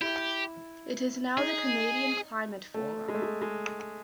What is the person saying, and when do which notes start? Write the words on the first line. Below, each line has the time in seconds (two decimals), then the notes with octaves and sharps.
It is now the Canadian Climate Forum.
0.01 E4 G4
1.37 D#4 G#4
2.74 A3
3.09 G#3
3.15 A3
3.22 G#3
3.42 G#3